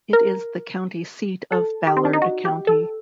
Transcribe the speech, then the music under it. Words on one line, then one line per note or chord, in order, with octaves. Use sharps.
It is the county seat of Ballard County.
A#4
A4
G4
C4
D4
D#4
F#4
G4
A4